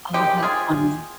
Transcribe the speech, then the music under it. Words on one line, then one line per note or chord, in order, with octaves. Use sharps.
Oh, how funny.
C3 D#3 G#3 C4 G4
F4 G#4